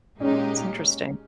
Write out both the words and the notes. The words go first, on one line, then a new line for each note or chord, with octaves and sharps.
it's interesting.
A#2 G#3 C#4 D#4 G4